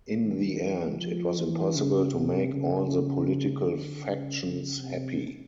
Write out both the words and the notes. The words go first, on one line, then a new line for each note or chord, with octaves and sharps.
In the end, it was impossible to make all the political factions happy.
D#3
E3
F3
E3
C#3
C3
C#3
D3
C#3
C#3
C3